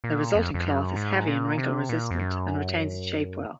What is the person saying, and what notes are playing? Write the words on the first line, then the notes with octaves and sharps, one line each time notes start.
The resulting cloth is heavy and wrinkle-resistant, and retains its shape well.
A#2
F2
F2
F#2
G#2
A#2
C3
A#2
F2
F#2